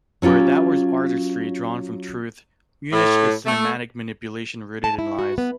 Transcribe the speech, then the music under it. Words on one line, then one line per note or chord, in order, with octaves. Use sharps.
Where that was artistry drawn from truth, Munich is cinematic manipulation rooted in lies.
F#3 C#4 F4 G4
A2
A3
A5
E4
F#4
B3